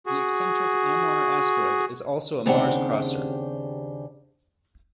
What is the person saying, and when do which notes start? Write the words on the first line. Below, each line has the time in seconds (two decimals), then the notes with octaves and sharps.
The eccentric Amor asteroid is also a Mars-crosser.
0.06 F#4 G#4
2.46 D#2 C#3 C4 D4 G4 F#5